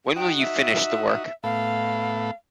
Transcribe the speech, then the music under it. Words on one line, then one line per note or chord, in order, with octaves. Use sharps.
When will you finish the work?
D#4 F#4 G5
E5
A2 A3 B3 F5